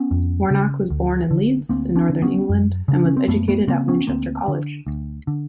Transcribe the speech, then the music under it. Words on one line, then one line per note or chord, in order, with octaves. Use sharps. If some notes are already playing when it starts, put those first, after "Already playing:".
Warnock was born in Leeds, in northern England, and was educated at Winchester College.
Already playing: B3 C#4
F2
C#3
D2
D3
D2 A#3 C4
C4 D4
D3
B3 C#4
F#2
C#3 D4
C#4
C4
F#2 A3 B3
A3 B3
C#3 A#3 C4
B3 C#4
D2 A#3 C4
D3
D2
D3